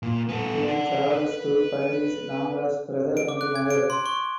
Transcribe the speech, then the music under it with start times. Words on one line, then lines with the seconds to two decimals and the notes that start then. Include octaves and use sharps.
He travels to find his long lost brother and mother.
0.03 A#2
0.29 B3 A4
0.64 D5 F#5
1.12 B4
3.17 D7
3.28 D6
3.41 F#6
3.56 G#6
3.70 D7
3.90 C6
4.06 C#6